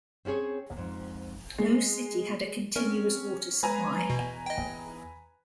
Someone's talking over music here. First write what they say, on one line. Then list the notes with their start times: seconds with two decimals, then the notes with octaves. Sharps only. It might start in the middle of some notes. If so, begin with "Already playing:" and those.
No city had a continuous water supply.
0.25 C4 C#4 F#4 G#4 C#5
0.77 F2 G#2
1.58 G#3
2.76 C4 C#4 A#4
3.63 G#3 B4 G#5 A#5
4.10 E2 B2
4.46 D#5 G5